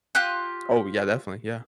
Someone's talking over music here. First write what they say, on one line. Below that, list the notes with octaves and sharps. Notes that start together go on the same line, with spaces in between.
Oh, yeah, definitely, yeah.
F4 G4 F#6